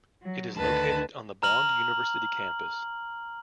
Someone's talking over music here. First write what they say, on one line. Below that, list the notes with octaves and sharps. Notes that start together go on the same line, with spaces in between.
It is located on the Bond University campus.
F#3
D2 D#3 B4 A5 B5
A#5 F6 F#7